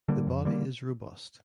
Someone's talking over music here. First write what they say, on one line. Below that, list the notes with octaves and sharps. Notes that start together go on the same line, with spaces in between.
The body is robust.
D3 G3 A#3
F2
D3 G3 A#3